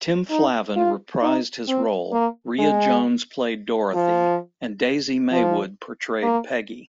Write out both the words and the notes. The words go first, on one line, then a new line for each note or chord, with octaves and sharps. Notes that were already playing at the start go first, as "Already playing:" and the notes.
Tim Flavin reprised his role, Ria Jones played Dorothy and Daisy Maywood portrayed Peggy.
D#4
F4
D#4
C4
A#3
G#3
F3
F3
A#3